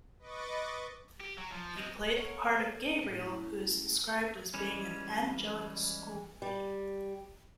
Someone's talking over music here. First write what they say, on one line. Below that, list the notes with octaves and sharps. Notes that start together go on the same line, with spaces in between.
He played the part of Gabriel who is described as being an 'angelic schoolboy'.
B4 D#5 C#6 D6 A6
G4
F#3
F3
G#3 C4
A#3 A4 A#4 C#5 F5 F#5
A2 C#3
E3 G3 G#3 C#4
G3